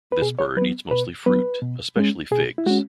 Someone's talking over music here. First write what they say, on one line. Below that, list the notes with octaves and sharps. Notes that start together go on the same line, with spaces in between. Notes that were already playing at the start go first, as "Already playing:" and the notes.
This bird eats mostly fruit, especially figs.
B4
B2 G#4
C#5
F#3 B4
B3
B2 B4
F#3 B3 B4
B2
G#3 C#4
B2 G#4
E4
G#3 C#4 F#4